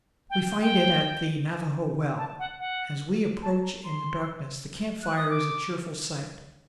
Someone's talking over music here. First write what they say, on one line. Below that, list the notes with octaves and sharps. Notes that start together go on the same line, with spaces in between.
We find it at the Navajo Well. As we approach in the darkness the camp fire is a cheerful sight.
G5
G5
A5
F#5
F#5
A5
A#5
C6
F#6
D#6
D6